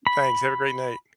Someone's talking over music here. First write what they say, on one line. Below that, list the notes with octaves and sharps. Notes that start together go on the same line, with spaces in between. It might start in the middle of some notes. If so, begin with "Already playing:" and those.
Thanks, have a great night.
B5